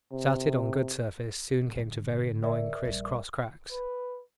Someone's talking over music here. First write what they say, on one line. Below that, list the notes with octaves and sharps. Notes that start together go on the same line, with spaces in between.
Started on good surface, soon came to very annoying criss-cross cracks.
C3
G#2 D3
A#4 D5 E5
A#1 G3
B4